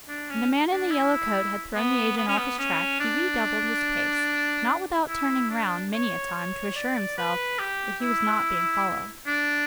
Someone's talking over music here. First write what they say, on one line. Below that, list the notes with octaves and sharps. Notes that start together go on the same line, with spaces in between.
When the man in the yellow coat had thrown the agent off his track, he redoubled his pace, not without turning round many a time to assure himself that he was not being followed.
D4
C#4
D4
E4
B3
B3
C#4
B3
C#4
D4
E4
D4
C#5
C#5
D5
B4
G4
E4
D4